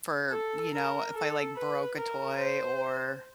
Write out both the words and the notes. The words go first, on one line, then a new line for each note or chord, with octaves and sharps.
for, you know, if I, like, broke a toy or,
A4
A#4
A4
B4
A#4
C5